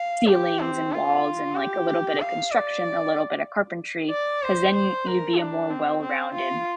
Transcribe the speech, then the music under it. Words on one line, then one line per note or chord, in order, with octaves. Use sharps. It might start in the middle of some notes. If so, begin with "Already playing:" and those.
ceilings and walls and, like, a little bit of construction, a little bit of carpentry, 'cause then y you'd be a more well-rounded,
Already playing: F5
G4
C4
F4
G4
F5
D5
D5
C5
C5
A#4
D4
C4
C4
F4